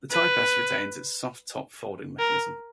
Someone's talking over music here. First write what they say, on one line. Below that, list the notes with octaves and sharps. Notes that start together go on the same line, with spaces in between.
The Type S retains its soft top folding mechanism.
B4
A#4